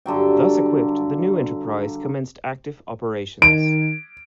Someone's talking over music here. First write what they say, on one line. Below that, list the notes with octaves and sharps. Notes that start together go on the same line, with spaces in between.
Thus equipped the new enterprise commenced active operations.
G2 D3 F#3 G5
D#3 D7